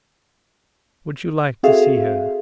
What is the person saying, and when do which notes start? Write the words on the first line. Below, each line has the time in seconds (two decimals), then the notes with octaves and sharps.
Would you like to see her?
1.63 C4 F#4 G#4 A4 E5 F5